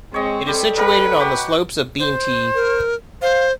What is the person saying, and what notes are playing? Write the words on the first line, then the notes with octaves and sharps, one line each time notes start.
It is situated on the slopes of Beentee.
G#3 C4 C#5 D#5
G3 G4 A4
G3 A#4 B4 F#5
F#4 G4
C5
A#4
C5 F5